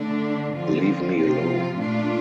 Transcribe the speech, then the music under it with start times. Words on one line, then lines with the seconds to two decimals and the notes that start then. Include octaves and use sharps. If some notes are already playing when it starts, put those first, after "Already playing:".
Leave me alone.
Already playing: D3 A3 D4
0.52 D3 F3 C4 F4
1.16 C3 F3 C4 F4
1.79 A#2 A3 D4 F4